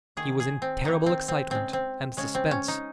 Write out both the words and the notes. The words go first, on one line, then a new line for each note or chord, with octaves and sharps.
He was in terrible excitement and suspense.
D#3 A#3 G#4
G#4
C4
D#3 A#3 D#4
C4
C4
C#3 G#3 C4
C4
C#3 G#3 C#4
C4
C#4
D#4